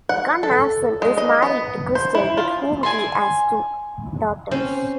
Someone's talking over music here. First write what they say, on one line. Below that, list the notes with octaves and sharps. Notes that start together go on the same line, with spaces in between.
Gunnarsson is married to Christel with whom he has two daughters.
F#5
A4
G#3
D#5
B3
C5
E4
F4
D5 E5 G#5 A5 C6
C4 C#4 C5